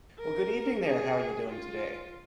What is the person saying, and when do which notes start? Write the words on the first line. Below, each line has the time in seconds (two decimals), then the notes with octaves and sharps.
Well, good evening, there. How are you doing today?
0.19 A#4
0.84 G#4
1.49 F4